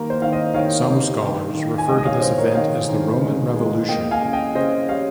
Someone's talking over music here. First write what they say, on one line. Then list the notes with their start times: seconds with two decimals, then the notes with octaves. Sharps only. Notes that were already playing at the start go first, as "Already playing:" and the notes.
Some scholars refer to this event as the Roman Revolution.
Already playing: D#3 G3 A#3 A#4
0.10 C5
0.22 D#3 F5
0.32 C5 D#5
0.54 D#3 C#5 F5
0.88 G3
1.21 D#3
1.55 D#3
1.78 G#5
1.88 G#3 D#5 G5
1.98 D#5
2.05 C#5 F5
2.21 G#3 C5 D#5
2.38 A#4 C#5
2.55 D#3 C#5 F5
2.89 D#3
3.22 G#3
3.56 G#3
3.89 A#3 D#5 G5
4.11 F5 G#5
4.22 C#3
4.33 D#5 G5
4.55 C#3 C5 D#5
4.89 G3 C#5 F5